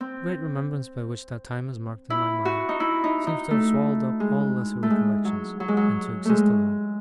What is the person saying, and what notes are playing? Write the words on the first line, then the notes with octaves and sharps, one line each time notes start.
The great remembrance by which that time is marked in my mind, seems to have swallowed up all lesser recollections, and to exist alone.
C4
E4
F#4
D#4
E4
D#4
D#4
A3
G#3
A3
G#3
F#3
F#3
G#3
F#3
G#3 A3